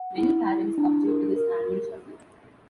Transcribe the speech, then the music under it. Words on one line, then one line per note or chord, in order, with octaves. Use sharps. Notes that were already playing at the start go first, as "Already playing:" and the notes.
Many parents object to this annual shuffle.
Already playing: F#5
E4
E4
D4
A#4
A#4